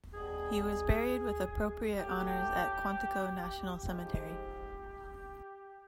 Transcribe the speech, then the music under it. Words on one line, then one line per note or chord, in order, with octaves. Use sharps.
He was buried with appropriate honors at Quantico National Cemetery.
B2 G3 G#4
A2 F#3 G4
G#2 F3 G4